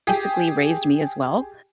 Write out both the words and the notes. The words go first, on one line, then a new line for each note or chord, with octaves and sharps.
basically raised me as well,
G4 G#4